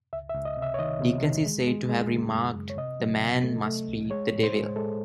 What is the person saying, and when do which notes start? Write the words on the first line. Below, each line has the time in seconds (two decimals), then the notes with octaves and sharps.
Dickens is said to have remarked, "The man must be the devil".
0.13 C#2 E5
0.29 E5
0.35 C#2
0.45 D#5
0.57 C3
0.62 E5
0.74 C#5
0.79 D#3 D#5
1.01 C3
1.23 D#3
1.46 G#3
1.67 G#3
1.90 G#3
2.12 C#3
2.34 F#2
2.55 F#2
2.70 C#5
2.78 C3 D#5
3.00 F#3
3.22 C3
3.43 A3
3.66 A3
3.88 C2
4.10 G#3 C#5
4.32 A2
4.43 C5
4.54 G#3
4.76 G#3 A4